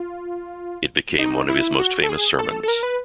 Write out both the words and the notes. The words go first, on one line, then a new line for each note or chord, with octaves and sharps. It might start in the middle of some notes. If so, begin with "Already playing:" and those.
It became one of his most famous sermons.
Already playing: F4
D#4
E4
F#4
A4
G#4
A4
A4
A#4
B4